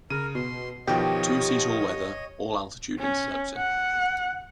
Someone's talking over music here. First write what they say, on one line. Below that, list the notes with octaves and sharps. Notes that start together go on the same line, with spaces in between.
Two-seat all weather, all altitude interceptor.
C#3 A#4 D#7
B2 C6
B2 D#3 F3 G4 C#5 D#5 G5
C#4
F#5